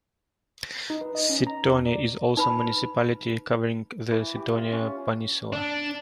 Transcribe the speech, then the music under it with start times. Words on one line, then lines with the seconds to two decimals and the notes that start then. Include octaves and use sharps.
Sithonia is also a municipality, covering the Sithonia peninsula.
0.90 D#4
1.01 B4
1.15 D#5
1.30 C#4
1.47 A#5
1.66 E2
1.86 D5
2.37 D#4 B4 B5
4.11 E3
4.35 G4
4.52 F4
4.72 C#4
5.52 D4